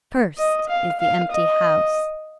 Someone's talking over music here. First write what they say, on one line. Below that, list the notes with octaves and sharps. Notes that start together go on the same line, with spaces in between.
"Cursed is the empty house!"
D#5
F5
F5
D#5